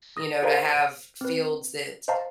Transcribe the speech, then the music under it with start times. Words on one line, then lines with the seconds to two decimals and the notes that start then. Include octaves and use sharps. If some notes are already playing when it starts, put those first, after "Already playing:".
you know, to have fields that
0.17 D#6 A#6
0.43 G#4 A#4 C5 D5 F5 A#5
0.74 D7
1.21 C4 B4
2.08 C5 D#5 F5 A5 A#5